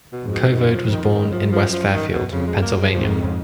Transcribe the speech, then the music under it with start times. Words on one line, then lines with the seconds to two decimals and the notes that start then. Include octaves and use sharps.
Covode was born in West Fairfield, Pennsylvania.
0.12 B2
0.22 F2 G#2
0.32 B2
0.52 F#2 D#3
0.72 F3
0.82 F2
0.92 D#3
1.04 F3
1.12 F#2 D#3
1.32 F3
1.52 F3
1.73 F3
1.93 D#3
2.12 B2
2.32 F2 C#3
2.47 G#3
2.62 F#2 A#3
2.77 G#3
2.92 F2 G#2 F3
3.08 D#3
3.22 C#3